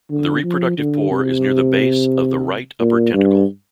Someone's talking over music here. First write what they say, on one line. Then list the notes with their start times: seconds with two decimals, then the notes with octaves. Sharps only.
The reproductive pore is near the base of the right upper tentacle.
0.10 D3
0.43 F3
0.78 D3
1.11 C3
2.80 A#2
3.13 G2